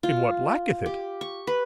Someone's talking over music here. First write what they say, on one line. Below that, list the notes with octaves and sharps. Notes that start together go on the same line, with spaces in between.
"In what lacketh it?"
F4
G4
C#6
B4